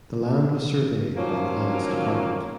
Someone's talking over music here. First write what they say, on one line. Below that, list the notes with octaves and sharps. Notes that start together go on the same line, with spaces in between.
The land was surveyed by the Lands Department.
D#3 F3 F#3 A#3 C#4 F4